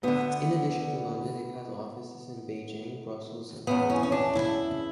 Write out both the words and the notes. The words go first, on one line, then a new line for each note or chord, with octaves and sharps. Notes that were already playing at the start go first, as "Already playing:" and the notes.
In addition to London, it has offices in Beijing, Brussels and Hong Kong.
D2 D3 B3
E2 C#3 E3 B3
C#4
C#4
D4
E4